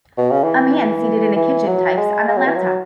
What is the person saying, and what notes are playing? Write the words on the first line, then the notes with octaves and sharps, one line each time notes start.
A man seated in a kitchen types on a laptop.
B2
C#3
E3
E3
F#3
G#3
G#3
F#3
E3
F#3